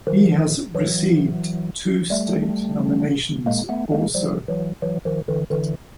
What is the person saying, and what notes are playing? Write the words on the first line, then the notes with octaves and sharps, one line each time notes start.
He has received two state nominations also.
D#3 F3
E3 F#3
G3 A3
G#3 A#3
A3 B3
G#3 A#3
F3 G3
E3 F#3
E3 F#3
D#3 F3
D3 E3
D3 E3